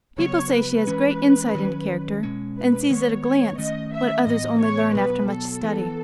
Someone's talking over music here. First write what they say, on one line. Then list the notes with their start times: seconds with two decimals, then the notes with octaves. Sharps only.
People say she has great insight into character, and sees, at a glance, what others only learn after much study.
0.18 C#3 F#3 B3 C#5
0.52 B4
0.87 E3 G#3 C#4
1.55 D#3 F#3 C#4
2.23 B2 G#3 C#4
2.57 B4
2.90 D#3 G#3 B3 C#5
3.24 C#5
3.58 D#3 A3 C#4 D#5
3.93 E5
4.26 A2 E3 B3 D#5
4.61 C#5
4.94 B2 F#3 B3 B4
5.28 A4
5.63 E3 B3